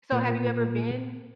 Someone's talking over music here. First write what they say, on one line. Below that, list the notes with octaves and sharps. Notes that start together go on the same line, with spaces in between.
So have you ever been
A#2